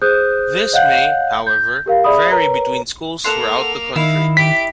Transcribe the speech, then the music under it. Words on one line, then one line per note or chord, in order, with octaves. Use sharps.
This may, however, vary between schools throughout the country.
G#4 C5 D#6 F#6 G6
C#5 D#5 F5 F#5 F#6 G6
G6
G4 A#4 F5
G#4 D5 E5 B5 D#6
A#4 B4 C#5 A#5
A#3 A4 F#5 C6 F7
D#3 E4 D#5 F5
G4 B6 D7